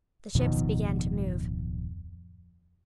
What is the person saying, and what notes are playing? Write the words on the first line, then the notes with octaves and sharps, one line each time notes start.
The ships began to move.
D1 F2 B2 D#3